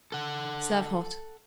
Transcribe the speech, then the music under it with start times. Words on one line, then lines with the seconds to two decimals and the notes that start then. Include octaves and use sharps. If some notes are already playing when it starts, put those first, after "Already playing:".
Serve hot.
0.12 A4 F#5